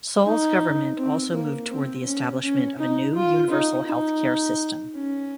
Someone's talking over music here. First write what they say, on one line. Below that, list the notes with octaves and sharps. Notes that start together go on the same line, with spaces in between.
Sall's government also moved toward the establishment of a new universal healthcare system.
D#4
C4
A#3
C4
C#4
C#4
D#4
F4
D#4
D#4
C#4